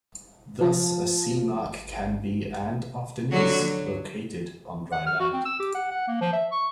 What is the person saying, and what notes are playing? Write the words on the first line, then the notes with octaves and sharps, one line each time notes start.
Thus a sea mark can be and often is located on dry land.
F3
D3 F#3 F#4
F#3
F#5
F6
F#4
C4
E6
G4
F#5
F#5
A#3
F3
E5
C#6